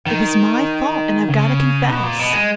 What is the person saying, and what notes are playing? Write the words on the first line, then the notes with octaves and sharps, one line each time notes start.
It was my fault and I've got to confess.
D#3
C#3
B2
A#2
B2
G#3